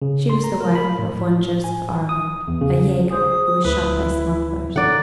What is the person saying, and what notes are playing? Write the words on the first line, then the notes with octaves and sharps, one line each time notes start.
She was the wife of one Joseph Arler, a jaeger, who was shot by smugglers.
C#3
C6
A#5
A#4
B5
A2
G#5
D#6
E2
C#3
G#4 C5 D#6
D2 E4 B4
D3 D#3 D5 F#5 A#5